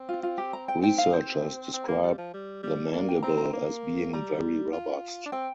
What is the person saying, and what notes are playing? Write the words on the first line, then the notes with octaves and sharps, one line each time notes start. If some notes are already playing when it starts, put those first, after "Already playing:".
Researchers describe the mandible as being "very robust".
Already playing: C4
F4
F4
G4
A#5
G5
G5
F5
C5
C4
A#3
G3
F3
G3
G3
A#3 D5
G5
C4 A#5
A#5
A#3
G3 A#5
F4
D4
C4 G5